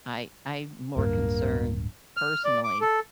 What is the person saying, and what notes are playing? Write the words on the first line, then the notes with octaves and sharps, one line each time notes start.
I I'm more concerned personally
D1 G2 A#3
F6
D5
D6
A4